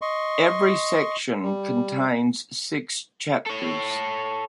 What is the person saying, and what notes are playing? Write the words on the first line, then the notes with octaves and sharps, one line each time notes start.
Every section contains six chapters.
D#5 C6 C#6
G3
A4 C#5